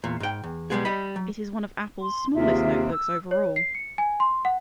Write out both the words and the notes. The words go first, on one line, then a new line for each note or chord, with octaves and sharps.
It is one of Apple's smallest notebooks overall.
E2 A#2
G#2 G5
E2
B1 A2 G3 G#3 B3 G#4
G3 D#5 B5
F#3
C6
D#2 C3 F4 G#4 E5
E6
C#5
C7
C#7
G#5
C6
F#5